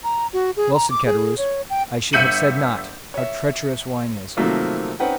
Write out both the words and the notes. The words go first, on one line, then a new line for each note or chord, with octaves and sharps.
"Well," said Caderousse, "I should have said not--how treacherous wine is!"
A#5
F#4
G#4
A#5
D6
G#4
C#5
G5
G1 E5 G6 C#7 D#7 F#7
C#5 E5
C3 D#3 F3 F#3 A3 A#3
C4 C#4 D#4 B4 F#5 G5